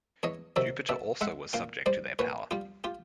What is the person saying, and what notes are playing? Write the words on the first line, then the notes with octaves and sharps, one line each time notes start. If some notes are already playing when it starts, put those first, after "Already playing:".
Jupiter also was subject to their power.
E2 C#5 D#5
C3 D#3 F#3 D5 E5
B2 D5 E5
G#3 E5 F#5
A#2 F5 G5
G3 C5 D5
A#2 B4 C#5
G3 F4 G4
F4 G4